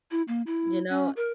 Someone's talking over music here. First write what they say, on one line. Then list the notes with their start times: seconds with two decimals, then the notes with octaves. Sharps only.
You know
0.11 E4
0.28 A#3
0.46 E4
0.89 C#4
1.16 A#4